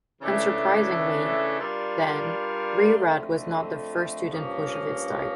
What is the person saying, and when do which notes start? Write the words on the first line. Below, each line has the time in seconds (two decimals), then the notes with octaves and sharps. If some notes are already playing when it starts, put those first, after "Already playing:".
Unsurprisingly, then, Re-Rad was not the first student push of its type.
0.21 C#3 E3 A3 D4 A4
1.58 G3 D4 F4 A#4 D5
2.94 F2 D3 A3
4.31 G2 F3 A#3 C#4